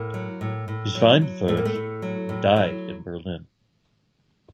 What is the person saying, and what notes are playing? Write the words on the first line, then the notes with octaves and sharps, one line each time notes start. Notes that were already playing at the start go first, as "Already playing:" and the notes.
Schweinfurth died in Berlin.
Already playing: A2 A#3
F#3
A2
A2
F#3
F#3
A2 A3
A#3
A3
A2
F#3
A2
F#3